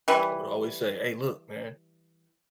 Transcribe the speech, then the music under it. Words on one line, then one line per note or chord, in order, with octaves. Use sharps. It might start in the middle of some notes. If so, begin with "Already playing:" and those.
would always say, "Aye, look, man,"
E3 G3